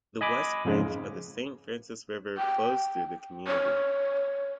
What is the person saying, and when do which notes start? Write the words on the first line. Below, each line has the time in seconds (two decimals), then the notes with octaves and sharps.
The West Branch of the St. Francis River flows through the community.
0.21 D#5 G#5 B5 D6
0.65 F2 G#2 C#3 G#3
2.38 G5
3.47 C#5